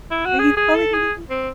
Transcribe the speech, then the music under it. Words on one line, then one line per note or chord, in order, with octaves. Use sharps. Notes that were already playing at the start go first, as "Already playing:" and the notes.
why are you calling me?"
E4
F#4
G#4
G#4
A4
G#4
C4